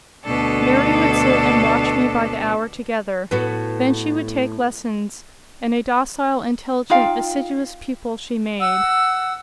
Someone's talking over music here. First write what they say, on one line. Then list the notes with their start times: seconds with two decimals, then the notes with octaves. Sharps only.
Mary would sit and watch me by the hour together: then she would take lessons; and a docile, intelligent, assiduous pupil she made.
0.24 D2 B2 D4 A4
3.31 A2 B3 F#4
6.90 D#4 F4 F5 G5
8.60 F#5 E6